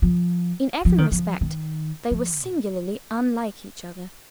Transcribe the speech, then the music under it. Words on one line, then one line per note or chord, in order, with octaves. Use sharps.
In every respect they were singularly unlike each other.
F3
F3
D#3
F3
D#3
F3
A2